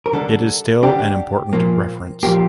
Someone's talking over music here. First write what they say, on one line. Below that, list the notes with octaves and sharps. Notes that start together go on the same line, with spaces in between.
It is still an important reference.
A#4
D3 G3 D4 A4
D3 G3 D4 G4
A#2 F3 A#3
A#2 F3 A#3 G4